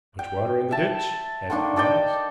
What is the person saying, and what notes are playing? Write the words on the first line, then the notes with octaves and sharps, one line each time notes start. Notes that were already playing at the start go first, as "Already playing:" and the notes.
"Much water in the ditch?" asked Quarles.
G5
E5 A5
D3 D#3 A#3 D4
A4 D5 D#5 G5